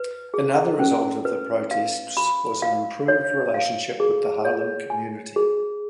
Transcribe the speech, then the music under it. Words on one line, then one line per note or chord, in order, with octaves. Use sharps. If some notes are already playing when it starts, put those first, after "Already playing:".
Another result of the protests was an improved relationship with the Harlem community.
Already playing: B4
G#4
C#4
B4
F5
B5
F5
C#5
F5
G#4
C#5
G#5
G#4